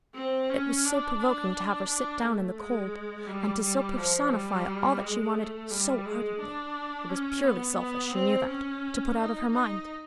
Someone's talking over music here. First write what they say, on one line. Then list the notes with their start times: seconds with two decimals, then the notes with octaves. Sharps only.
It was so provoking to have her sit down in the cold, and to so personify all that she wanted so ardently,--it was purely selfish, she knew that,--to put out of her mind.
0.15 C4
0.50 C#4
0.85 D4
1.19 D4
1.89 D4
2.23 A3
2.58 G#3
3.27 G3
3.63 G3
3.97 F3
4.32 G3
5.01 G#3
5.36 A3
5.71 G3
6.05 G#3
6.41 D4
7.10 C#4
7.44 B3
7.79 B3
8.14 C4
8.49 C#4
9.18 D#4
9.52 D#4